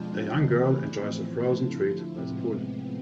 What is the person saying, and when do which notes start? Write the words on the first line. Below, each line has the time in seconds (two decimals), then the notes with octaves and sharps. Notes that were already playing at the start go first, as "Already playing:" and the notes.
A young girl enjoys a frozen treat by the pool.
Already playing: F2 B2 F3 G#3 D4 F4
0.33 F2 E3 F3 A3 C4
0.64 E2 E3
0.95 A2 F3 A3 C4
1.47 E3
1.57 D3 F3 A3 E4
2.18 A2 C3 F3 G#3 B3